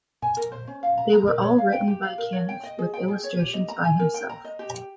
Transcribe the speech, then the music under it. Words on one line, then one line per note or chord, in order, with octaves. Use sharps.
They were all written by Caniff, with illustrations by himself.
G#5
A#4
C5
C#4
F5
A#5
A#5
A#4
C#5
F5
G5
G4
F5
A#4
C#5
G5
D#5
G#4
G5
G#4
C#5
G4
D#5
A#5
G#5
A#4
G5
A#5
D#5
G4
G5